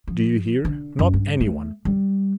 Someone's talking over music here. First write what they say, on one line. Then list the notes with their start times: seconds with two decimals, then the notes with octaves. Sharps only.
Do you hear, not any one!
0.08 F3
0.65 D3
0.99 F#2
1.14 G2
1.41 A3
1.85 G3